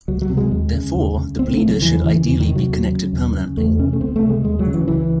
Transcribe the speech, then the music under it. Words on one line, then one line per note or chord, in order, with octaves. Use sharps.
Therefore the bleeder should ideally be connected permanently.
C#2 F#3
F#3
C3
G#3
D#2
C#3
D#2
C#3
C#2 C4
A3
C#3
F#3
E2 E3
C#3 E3
E2 E3
D#3
C3
F#3
D#2
C#3
D#2
C#3
E2 A3
C3 C#4
A3
C#2 C4
A3
C3
G#3
D#2 G#3
F#3
C#3
E3
C#2 E3